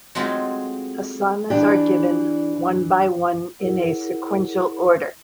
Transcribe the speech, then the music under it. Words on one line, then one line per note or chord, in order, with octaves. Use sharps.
Asanas are given, one by one in a sequential order.
F#3 G#3 A3 C4 D#4 F4
E3 D4 G4
E4 G#4 A#4 C#5 F#5